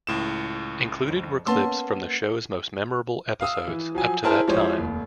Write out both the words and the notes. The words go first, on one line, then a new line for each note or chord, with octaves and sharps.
Included were clips from the show's most memorable episodes up to that time.
C#2 A2 E7
F2
A#3 B3 C#4 A5 C6 E6
F5 D#6 E6
E3
F3 F#3 G#5
E4 G#4 A#4 C5 A5
F3 G#3 E4 G4 C5 C#5
F1 D#2